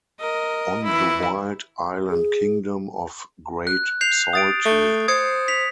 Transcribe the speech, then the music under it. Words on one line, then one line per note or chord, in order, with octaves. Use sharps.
On the wild island kingdom of Great Saltee.
A#4 D#5
E3 E4
G#4
F#6
G6 C7 F7
D#6 A6 D7
A3
C5 D#6 G#6 C#7
B6 F7